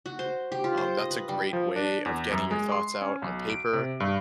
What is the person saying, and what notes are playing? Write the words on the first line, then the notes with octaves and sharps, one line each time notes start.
Um, that's a great way of getting your thoughts out on paper.
F#4
C5
G4
F4
C5
D#5
B4
G3
F3
D4
E2
F#2
G#3
C6
C#4
B1
D7
C3
G2